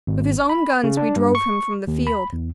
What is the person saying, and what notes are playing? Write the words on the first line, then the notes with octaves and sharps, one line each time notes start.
With his own guns we drove him from the field.
G#1
B5
C#3
D4
G2
C#6
D#2
B5
E2